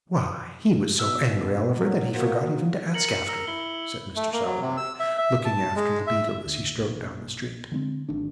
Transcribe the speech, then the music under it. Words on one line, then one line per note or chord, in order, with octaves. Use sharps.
'Why, he was so angry, Oliver, that he forgot even to ask after you!' said Mr. Sowerberry, looking after the beadle as he strode down the street.
B2 E5 E6 F6
F#3
A#3 F#4 C5 F#5
A#4 C#7 F#7
A#4 E6
E4 G7
A3
A#3
F#3
C3
E6
E5
E5
A5
G#3
E5
D2
B1 A#2
D3 G#3 A#3 C4
D1 G#1 D#3 D4